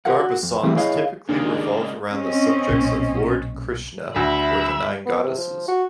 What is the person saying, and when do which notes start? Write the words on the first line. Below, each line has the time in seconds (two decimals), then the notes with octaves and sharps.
Garba songs typically revolve around the subjects of Lord Krishna or the nine goddesses.
0.05 F4 G4 A#4 F5 F#5
0.19 F#4
0.43 F2
0.63 E3 F3 G3 A3 C4 E4
0.76 E4 G#4 C#5 D#5 F5
1.29 D#2 C#3 G#3 A#3 D4 G#4 D5 D#5
2.12 C4 C#4 D#5
2.69 B1 A#2
4.16 D2 E5 B5
5.05 B3
5.23 C3
5.37 F3
5.68 F#4